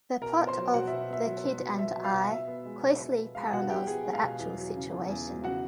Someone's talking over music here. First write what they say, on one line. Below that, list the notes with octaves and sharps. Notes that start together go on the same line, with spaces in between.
The plot of "The Kid and I" closely parallels the actual situation.
B2 A#4 A#5
B3
C5 C6
F#3
B2 F#4 F#5
E5
B2
B3 E5
F#3
B2
B2
B3 E5
F#3
F5
B2
B2 E5
B3
G#3
B2
B2
B3
G#3 F5
B2 F#4 F#5
B2 G4 G5
B3 G#4 G#5
G#3
F5
B2
E2
F#3
C#3
E2
E2
F#3
C#3 F#4 F#5